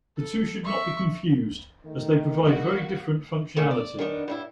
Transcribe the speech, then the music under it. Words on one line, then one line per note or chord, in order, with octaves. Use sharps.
The two should not be confused as they provide very different functionality.
A4
E5 C#6
D#3 A3
F#3 G3 A#3 F#4
B2 D#3 A3 A#3 C4 C#4
D5
D#3 B3 D4
G2 G3 E4